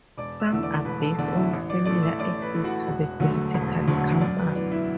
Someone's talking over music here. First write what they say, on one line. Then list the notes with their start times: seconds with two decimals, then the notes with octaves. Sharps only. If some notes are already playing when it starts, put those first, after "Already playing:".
Some are based on similar axes to the Political Compass.
0.18 E1 D5 D6
0.40 E5 E6
0.52 E2 D3 A3 E6
0.63 D5 D6
0.85 E1 B4 B5
1.02 A4 A5
1.18 E2 D3 A3 D5
1.35 E4 E5
1.53 A1
1.70 D5 D6
1.86 A2 A3 D5 D6
2.03 E5 E6
2.19 A1 D5 D6
2.42 B4 B5
2.54 A2 A3
2.64 F#4 F#5
2.87 E1
3.20 D2 D3 F#3 A3
3.54 E1
3.88 D2 D3 F#3 A3
4.21 F#2 D5
4.38 B4
4.55 E3 B3 D5
4.71 E4 E5